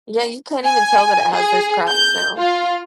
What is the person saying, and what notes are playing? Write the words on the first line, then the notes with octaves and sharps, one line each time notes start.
Yeah, you can't even tell that it has those cracks now.
G#5
G#4
G6
F4